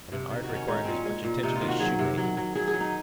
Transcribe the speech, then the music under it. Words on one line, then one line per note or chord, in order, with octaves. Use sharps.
And an art requiring as much attention as shoemaking?
C3
D#3
F#4
D#3
C#4
G#3 D#4
C#4
A#2 C4
C#4
G#3
A#2
C3 D#4
F4
D#3
F#4
F#3 G#4
C3
F#3
F#3
F#3 G#4
G#4
F#3
D#4